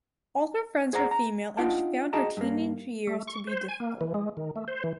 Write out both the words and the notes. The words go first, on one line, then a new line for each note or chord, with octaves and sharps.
All her friends were female and she found her teenage years to be difficult.
G#4 C5 D5 F#5 A#5
A#5
D4 D#4 F4 F#5 G5 A5
F#4 G#4 D#5 G5 A5 A#5
G2 A#3
A3
C#6
C5
G#5
A#3
E3
G#3
D#3
A3
C5
E3